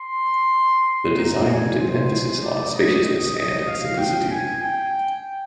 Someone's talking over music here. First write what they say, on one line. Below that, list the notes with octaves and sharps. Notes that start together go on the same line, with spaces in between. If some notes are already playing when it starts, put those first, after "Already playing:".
The design put an emphasis on spaciousness and simplicity.
Already playing: C6
A#5
G#5
C5
D5
D#5
D#5
D#5
F5
G5
G#5
G5